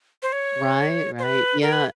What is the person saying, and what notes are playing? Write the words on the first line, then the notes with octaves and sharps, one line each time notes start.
Right, right, yeah.
C5
C#5
C5
B4
A#4
B4